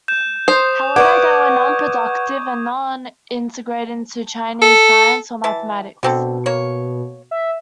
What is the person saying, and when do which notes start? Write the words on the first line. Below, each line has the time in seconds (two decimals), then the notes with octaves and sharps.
However, they were nonproductive and not integrated into Chinese science or mathematics.
0.08 G6 E7
0.48 C5 D#6
0.96 B4 D5 F#5 C#6 D6 G#6
4.62 A4
5.44 E3 E5 A5
6.03 B2 D3 C4 A4
6.46 A#3 C#5
7.31 E5